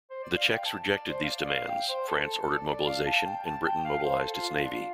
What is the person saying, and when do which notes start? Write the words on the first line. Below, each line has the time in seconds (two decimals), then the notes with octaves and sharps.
The Czechs rejected these demands, France ordered mobilization and Britain mobilized its Navy.
0.10 C5
0.23 D5
0.37 F5
0.50 G5
0.65 A5
0.95 D5
1.09 C5
1.24 F5
1.29 D5
1.48 F5
1.69 G5
1.88 C5
2.08 A4
2.42 A4
2.56 D5
2.72 D5
2.86 F5
3.06 A5
3.17 A5
3.26 G5
3.45 A5
3.66 G5
3.85 F5
4.05 C5
4.19 A4
4.34 F4
4.49 D4
4.64 F4